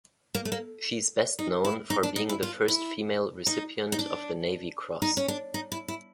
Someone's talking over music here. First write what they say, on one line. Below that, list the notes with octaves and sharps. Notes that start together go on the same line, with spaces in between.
She is best known for being the first female recipient of the Navy Cross.
A#3
A3
A#3
D#4
E4
D#4
D4
D#4
E4
F4
E4
D#4
D#4
D4
D#4
C#4
D4
D#4
E4
E4